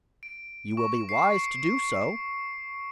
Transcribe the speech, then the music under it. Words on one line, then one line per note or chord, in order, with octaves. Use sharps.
"You will be wise to do so."
D7
C#6
C7
C#7